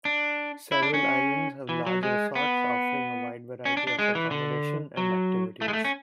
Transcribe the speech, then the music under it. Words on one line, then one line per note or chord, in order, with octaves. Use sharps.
Several islands have large resorts, offering a wide variety of accommodation and activities.
D4
E4
D4
C#4
E3
F#3
G#3
B3
C#4
D4
D4
G#3
E3
D3
F#3
A3
G#3
A3
C#4